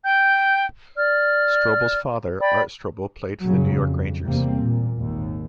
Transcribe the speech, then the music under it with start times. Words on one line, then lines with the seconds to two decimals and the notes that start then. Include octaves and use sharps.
Strobel's father, Art Strobel played for the New York Rangers.
0.05 G5 G6
0.96 D5 F6
2.40 D5 G5 B5
3.45 F#2 A#2 C#3 F#3
3.74 F2
4.26 E2 C3 G3 A#3 C4
4.62 A#2
4.97 G#1 D#2